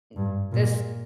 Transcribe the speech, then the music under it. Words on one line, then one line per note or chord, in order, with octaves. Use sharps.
and this
G2
A#2